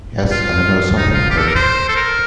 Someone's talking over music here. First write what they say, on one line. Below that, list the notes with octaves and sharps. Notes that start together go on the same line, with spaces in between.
Yes, I know something of it.
F4
D#4
F4
G4
A4
A#4
C5
A4
A#4